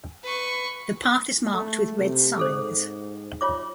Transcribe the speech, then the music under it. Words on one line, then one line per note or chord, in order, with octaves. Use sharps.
The path is marked with red signs.
B4 C#6
A3
C3
G#2 G#4 A4 C5
F4 C#5 D6